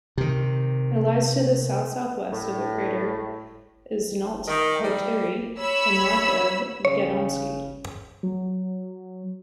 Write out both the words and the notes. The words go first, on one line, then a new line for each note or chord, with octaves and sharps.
It lies to the south-southwest of the crater Esnault-Pelterie, and north of Gadomski.
C3 D#3
A2
D#3
G3
C#5 B5 E6
C#3 C#5
F#3